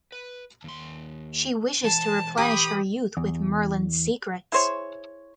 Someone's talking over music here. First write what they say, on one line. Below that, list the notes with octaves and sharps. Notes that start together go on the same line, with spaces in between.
She wishes to replenish her youth with Merlin's secrets.
B4
D#2 C6
E3 G#3 A5
G4 B5 D#6
E2
E4 G#4 C5 C#5